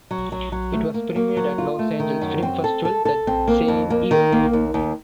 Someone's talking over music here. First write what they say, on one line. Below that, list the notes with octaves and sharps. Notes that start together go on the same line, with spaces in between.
It was premiered at the Los Angeles Film Festival that same year.
F#3
F#3
F#3
A3
A#3
A#3
F#3
F4
A3
D#3
F#2
C4
A4
A4
A4
C4
A#3
F2
A#3
D#3
A#3
D#2
D#2